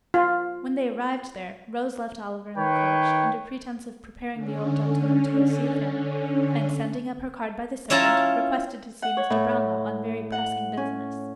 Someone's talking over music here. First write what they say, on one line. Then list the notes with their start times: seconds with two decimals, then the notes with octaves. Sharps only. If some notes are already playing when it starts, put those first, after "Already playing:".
When they arrived there, Rose left Oliver in the coach, under pretence of preparing the old gentleman to receive him; and sending up her card by the servant, requested to see Mr. Brownlow on very pressing business.
0.14 F4
2.57 D#3 B4 C#5 G5
4.33 D3 C#4
7.90 C#4 E4 F4 A5 A#5
9.02 F#5
9.17 C#5
9.30 A2
10.32 F#5
10.77 C#4